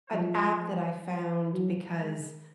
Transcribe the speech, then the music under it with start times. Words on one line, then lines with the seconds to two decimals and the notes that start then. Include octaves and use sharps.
an app that I found because
0.13 F3
1.53 F#3
2.00 G#3